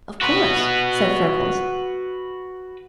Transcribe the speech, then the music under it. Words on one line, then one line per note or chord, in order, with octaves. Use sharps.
"Of course!" said Freckles.
F#4 B4